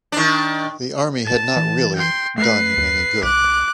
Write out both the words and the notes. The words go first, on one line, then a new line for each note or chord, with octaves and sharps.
The army had not really done him any good.
D#3 D4
A5
E3
G5 C6
A3 B4 C7
D#2
C2 D6 F#6